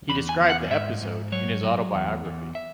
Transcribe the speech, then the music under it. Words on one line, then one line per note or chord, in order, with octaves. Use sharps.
He described the episode in his autobiography.
E2 B5
G#5
E2
F#5
G#2 E5
G#2
F#3 C#5
F#3
E2
E2
E5